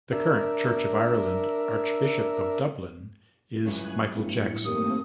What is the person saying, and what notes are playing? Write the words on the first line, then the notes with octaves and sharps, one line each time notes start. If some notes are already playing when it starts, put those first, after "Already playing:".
The current Church of Ireland Archbishop of Dublin is Michael Jackson.
D4 A#4 E5
C#2 G2 F#3 E4 G#5 F#6
G1 A2 C#7
D#2 A3 A#3 C4 D#6